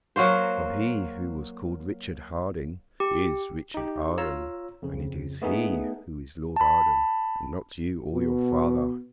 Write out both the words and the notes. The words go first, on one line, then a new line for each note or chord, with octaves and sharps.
For he who was called Richard Harding is Richard Arden, and it is he who is Lord Arden and not you or your father.
F#3 A#3 F#4 C5
G4
D#4 G4
F4 C#5 A#5 E6
F2 C#3
A3 B3 D#4 G#4
A5 B5
B2